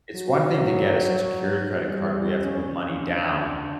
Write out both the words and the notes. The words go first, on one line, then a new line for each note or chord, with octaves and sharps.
It's one thing to get a secured credit card where you have to put money down,
F#3
G3
C#4
D4